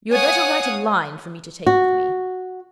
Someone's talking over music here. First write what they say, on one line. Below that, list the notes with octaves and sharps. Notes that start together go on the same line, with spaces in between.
You had better write a line for me to take with me.
C#5 F5 F#5 G#5 D#6
F#4